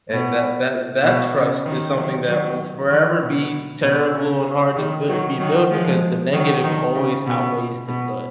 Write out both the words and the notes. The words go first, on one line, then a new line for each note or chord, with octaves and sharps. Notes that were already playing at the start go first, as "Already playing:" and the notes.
and that that that trust is something that will forever be terrible, and hard to b be built because the negative always outweighs the good.
B2
B2
C#3
D#3
D#3 F#3
D#3 F#3
D#3 F#3
B2
B2
C#3
D#3
D#3 F#3
D#3 F#3
F3 G#3
D#3 F#3
D#3
C#3
B2
B2